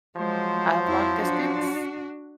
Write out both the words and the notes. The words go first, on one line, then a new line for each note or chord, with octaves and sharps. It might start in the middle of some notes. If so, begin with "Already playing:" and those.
of long distance,
F3 F#3 G#3 C5
F2 E4
D4 F#4